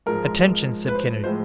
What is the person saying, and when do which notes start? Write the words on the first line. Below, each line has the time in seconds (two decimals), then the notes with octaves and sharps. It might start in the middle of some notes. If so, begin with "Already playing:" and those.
"Attention!" said Kennedy.
0.06 G#2 F3 G#3 A#4
0.88 B4
0.95 C5
1.24 A2 F3 G#3 C5